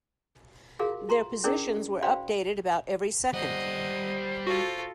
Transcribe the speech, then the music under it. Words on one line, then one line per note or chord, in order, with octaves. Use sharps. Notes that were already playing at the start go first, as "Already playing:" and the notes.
Their positions were updated about every second.
F4 F#4 G#4 A#4 F5
F4 A#5 C6
C#4 D4 E4 G#4 A#4 D5
F#4 C5 D5 F5 G5 B5
G3 C5 D#5 F#5
F4 F#4 A4